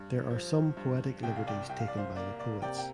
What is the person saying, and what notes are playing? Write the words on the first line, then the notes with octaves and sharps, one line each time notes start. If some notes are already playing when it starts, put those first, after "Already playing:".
There are some poetic liberties taken by the poets.
Already playing: G2
F3
G2
C2 G5
F5
D5 G5
C2 G5
F5
D5
C5 F5
A#3 D5
D5
C3 D5 G5
G5